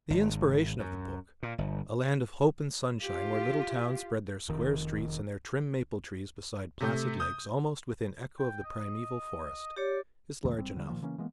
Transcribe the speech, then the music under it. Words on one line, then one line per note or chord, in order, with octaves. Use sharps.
The inspiration of the book,--a land of hope and sunshine where little towns spread their square streets and their trim maple trees beside placid lakes almost within echo of the primeval forest,--is large enough.
G#1
F#2
A#2
G1
F4 G4
F1 D#3
C3 A3 G6
D#6 G6
G5
D#5
G4 C#5 D5
E2 C#3 E3 A3
G1 G3 C4
D3 G3
A#2 D#3 F3 A#3
C#3 E3 A#3 C#4
E3 G#3 A#3 B3